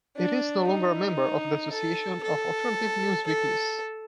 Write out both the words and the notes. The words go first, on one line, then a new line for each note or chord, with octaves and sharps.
It is no longer a member of the Association of Alternative Newsweeklies.
D4
D#4
A4
A4
A4